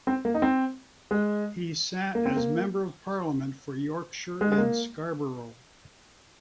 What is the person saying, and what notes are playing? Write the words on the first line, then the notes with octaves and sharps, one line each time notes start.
He sat as Member of Parliament for Yorkshire and Scarborough.
C4
A#3
D#4
C4
G#3
A#3
C4
A#3
G#3
G#3
A#3